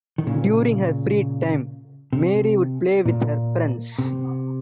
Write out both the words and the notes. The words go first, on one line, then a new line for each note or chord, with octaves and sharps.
During her free time, Mary would play with her friends.
D#3
A#2 C#3
C3
A#2
C3